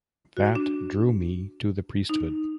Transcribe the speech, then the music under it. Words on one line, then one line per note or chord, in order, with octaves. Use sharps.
That drew me to the priest-hood.
F#4
D4
D#4